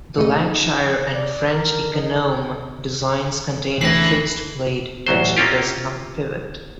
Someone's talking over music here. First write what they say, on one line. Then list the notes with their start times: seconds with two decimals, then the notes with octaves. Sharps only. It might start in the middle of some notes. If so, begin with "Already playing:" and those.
The Lancashire and French "Econome" designs contain a fixed blade which does not pivot.
0.17 A#2 A3 B4 D#5
0.40 D#4
1.15 D5
1.53 A#4
1.93 D#4
3.81 D2 E3 B4 A#6 C7
5.07 A1 D2 F#3 C5
5.37 A#3 C4 C#4 F4 G4